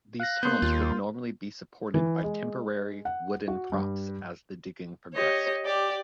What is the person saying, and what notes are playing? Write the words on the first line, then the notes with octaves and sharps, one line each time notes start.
These tunnels would normally be supported by temporary wooden props as the digging progressed.
F5 F#6 A#6
A#3 B3 C6 G6
D#2 F4
E3
G#3
F#5
F#4
G2
G4 C#5 D#5
G4 D5